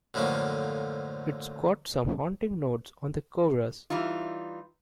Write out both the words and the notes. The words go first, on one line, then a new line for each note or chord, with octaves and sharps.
It's got some haunting notes on the chorus.
F#2 A2 D3 F3 A#3 C#4
E3 G3 D#4 F4